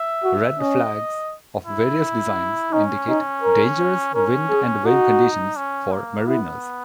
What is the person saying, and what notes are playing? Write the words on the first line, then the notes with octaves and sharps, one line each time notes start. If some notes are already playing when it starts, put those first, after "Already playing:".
Red flags of various designs indicate dangerous wind and wave conditions for mariners.
Already playing: E5
F#4
C#4 D#5
E4
C#4 D#4
D#4
A#4
C#4 A#4
G#4
D#4 F#4
C#4
A#3
B3 E4